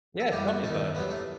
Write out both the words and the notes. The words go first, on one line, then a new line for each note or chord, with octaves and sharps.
Yeah, tell me about it.
A4
F#2 E3 G3 G4
F#4
E2 D#3 A3
E2 C3 F#3 B3
A3